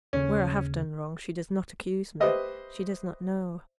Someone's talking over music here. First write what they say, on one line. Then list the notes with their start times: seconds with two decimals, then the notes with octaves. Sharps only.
Where I have done wrong, she does not accuse me--she does not know.
0.13 D#2 C#3 C#4
2.20 G4 B4 C5 D#5 E5